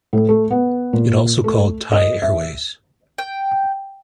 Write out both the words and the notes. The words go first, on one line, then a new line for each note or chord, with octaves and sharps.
It also called Thai Airways.
A2
A3
B3
A#2
A3
D#5
E5
G5